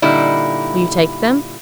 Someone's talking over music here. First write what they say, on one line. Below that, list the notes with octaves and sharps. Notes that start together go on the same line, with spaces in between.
"Will you take them?"
A#2 D3 G3 D#4 E4